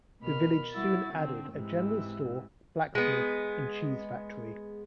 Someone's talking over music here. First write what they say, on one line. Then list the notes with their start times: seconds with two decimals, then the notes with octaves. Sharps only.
The village soon added a general store, blacksmith and cheese factory.
0.22 B2 A#4 B5 F6
0.73 G3 E4 F#4 A6
1.12 D3 C4
1.51 G#2 C3 E3
2.95 G#3 B3